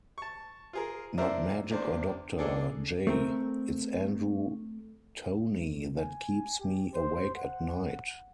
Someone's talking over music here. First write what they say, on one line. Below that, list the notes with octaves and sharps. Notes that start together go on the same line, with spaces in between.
Not Magic or Doctor J, it's Andrew Toney that keeps me awake at night!
A5 C#6
F4 G#4 A#4
D4 E4 F4 A#4 C5 E5
E2 D4 C5
A#3 D4 G#4 A4
A3 C4 A#4
G#5
G4
C5
F#5